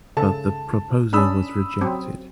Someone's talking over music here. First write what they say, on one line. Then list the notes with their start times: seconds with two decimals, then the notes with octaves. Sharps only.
But the proposal was rejected.
0.17 C#3 A4 A5
1.13 C#4 D4 B5 D#6 E6
1.81 F#3 C4